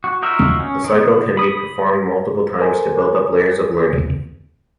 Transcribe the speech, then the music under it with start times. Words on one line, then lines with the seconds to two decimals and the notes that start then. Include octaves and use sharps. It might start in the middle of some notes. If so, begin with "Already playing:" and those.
The cycle can be performed multiple times to build up layers of learning.
0.04 F#4
0.23 D#4 F4 F#4 A#4 E5
0.60 C#4
0.84 D#3 B3
1.37 B5 D#6
2.60 A4 A#4 C5 D5 G#5